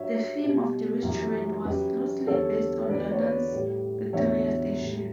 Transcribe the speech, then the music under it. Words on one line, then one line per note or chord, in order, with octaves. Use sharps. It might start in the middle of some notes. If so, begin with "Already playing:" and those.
The theme of the restaurant was loosely based on London's Victoria Station.
Already playing: G2 F#3 C#5 E5
B2 G3
F#2 E3 G3
F#2 C#3 F#3 G4 B4
E2 D3 G3 A4 C#5
E2 D3 F#3 B4 D5
C#5
B4 D5
A2 G3
E2 D3 F#3 C#5 E5
A2 G3